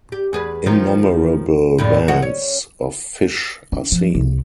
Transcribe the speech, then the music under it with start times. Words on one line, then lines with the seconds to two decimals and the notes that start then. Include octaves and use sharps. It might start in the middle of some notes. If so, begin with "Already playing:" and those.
Innumerable bands of fish are seen.
0.12 G4
0.33 E2 G#4 B4
0.66 D#3 F3 C#4
1.79 F2 A2 D3
2.08 F3 G#3 F#4
2.22 C#4
3.72 C#4
3.92 F3
4.14 C2